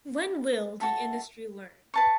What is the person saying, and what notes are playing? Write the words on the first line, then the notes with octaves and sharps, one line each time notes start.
When will the industry learn?
F#4 A4 E5
B4 A5 C#6